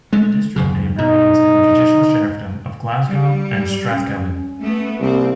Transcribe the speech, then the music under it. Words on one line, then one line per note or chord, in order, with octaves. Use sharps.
The district name remains in the judicial Sheriffdom of 'Glasgow and Strathkelvin'.
G#3 A3
D#1 F#2 C#3
B2 D#4
G3
C#4
A3 B3
C2 A#3 C4